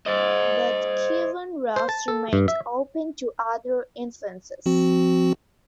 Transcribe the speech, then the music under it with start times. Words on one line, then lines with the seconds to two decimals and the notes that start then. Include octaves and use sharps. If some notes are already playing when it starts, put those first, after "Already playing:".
But Kyivan Rus remained open to other influences.
0.06 C5 D#5
1.76 C5
1.89 A5
2.08 A4
2.33 G2
2.48 E5
4.66 F3 C4 F#4